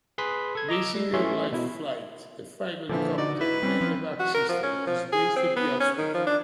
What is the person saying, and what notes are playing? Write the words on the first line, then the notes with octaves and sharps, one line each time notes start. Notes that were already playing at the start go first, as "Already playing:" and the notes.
Geisinger Life Flight, a five-helicopter medevac system, is based at the hospital.
G#4 B4 C6 B6
A4 G#6
D#5 A#5 D6 E6
G3
E3 A3 C#4 E5 C6
B2 E4
A#2 D3 E3 F3
D#4 F#4 D5 D#5
E4 B4
G3 C4 C#4
F3
F#4
A#4
F3
C#4
F3
G#4
C4
B3
C#4
D#3
F3
D4